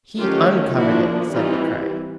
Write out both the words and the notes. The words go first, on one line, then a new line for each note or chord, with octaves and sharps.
"He uncovered it," said De Craye.
D#3 F#3 A3 C#4 F4 G4
F3 A#3 D4 E4 F#4
E3 G3 C4 D#4 F4